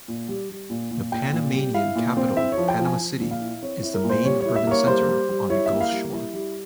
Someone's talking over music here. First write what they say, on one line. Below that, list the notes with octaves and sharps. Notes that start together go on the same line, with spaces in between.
The Panamanian capital Panama City is the main urban centre on the gulf shore.
A#2
G3
G3
A#2
A#2
A#2 G5
A#2
G3
E4 F5
A#2
C4
E4 E5
C#5
F3
G5
F3
G#5
F3
A#2
F5
E4
C4 C#5
C#5
E4
A#4
A#2
C5
G3 C#5
E4 C#5
E5
A#3 C#5
G3 C5
G3
G3
E4 C#5
E5
A#3
F5
G3
E4
G3